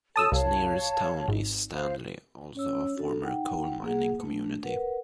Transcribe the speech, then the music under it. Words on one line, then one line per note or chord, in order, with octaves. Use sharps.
Its nearest town is Stanley, also a former coal mining community.
F#4 A4 C#5 A5 D#6 E6
C2 C#5 F5 A5
G#1
C5 F5
C#4 C#5 E6
D4 F#4 A4
D#4 F#5 G5
A#3 G#4 F#5
A3 D4
A#4 B4 F#5